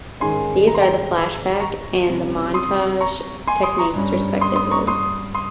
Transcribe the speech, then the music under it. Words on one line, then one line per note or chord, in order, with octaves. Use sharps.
These are the flashback and the montage techniques, respectively.
G#2 D#3 G#3 C#4 G#5 C6
A#5
C6
G5 A#5
A#5 C#6
C3 G3 C#4
C6 D#6
A#5 C#6
G#5 C6
C6 D#6
A#5 C#6
G2 G3 C#4
C6 D#6
C6 D#6
A#5 C#6
C6 D#6
C6 D#6